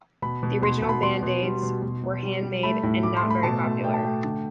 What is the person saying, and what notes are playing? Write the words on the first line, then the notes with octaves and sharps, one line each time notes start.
The original Band-Aids were handmade and not very popular.
B2 B5
B2
B2 C6
B2
B5
B2 C6
B2
G3
B2
B2
B2
G3
G3
A3 B5
A2
A2 D6
C6
A3
B5
B2 A5
A3
A3 G5
A5
A3 G5
D3